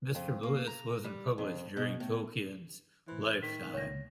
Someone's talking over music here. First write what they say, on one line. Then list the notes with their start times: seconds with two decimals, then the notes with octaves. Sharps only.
"Mr. Bliss" wasn't published during Tolkien's lifetime.
0.15 F2
0.43 A#3
0.67 A#5
1.04 G3
1.38 F2
1.77 B2
2.00 A2
3.08 A2 E3 B4 C5
3.42 D#3 B6
3.74 C#2 A#2 C#5 A#6